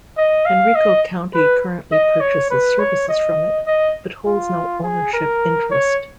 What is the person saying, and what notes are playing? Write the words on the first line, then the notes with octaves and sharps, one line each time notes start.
Henrico County currently purchases services from it, but holds no ownership interest.
D#5
F5
D#5
B4
D#5
C#5
B4
C#5
D#5
D#5
F4
G#4
A#4
C#5